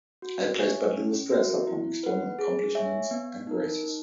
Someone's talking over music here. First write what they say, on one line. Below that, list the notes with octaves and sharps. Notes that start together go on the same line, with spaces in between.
I place but little stress upon external accomplishments and graces.
F#4
C#5 E5 G#5
C#4
F#4 A#4 E5
E4
B4 F#5
G#4
C#5 E5 G#5
B3
D#4 A#4
D#4